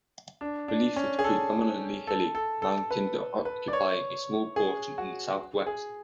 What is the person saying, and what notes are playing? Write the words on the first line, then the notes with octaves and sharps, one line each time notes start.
The relief is predominantly hilly, mountains occupying a small portion in the south-west.
D4
D4
C#4
G#4
A4
A4
A4
A4
B4
B4
D5
C#5
G#4
F#4
G#4